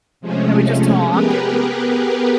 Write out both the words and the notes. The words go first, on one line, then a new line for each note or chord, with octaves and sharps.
And we'd just talk and
C3 F3 G#3 A3 C#4
B3 G4 G#4 A#4 B4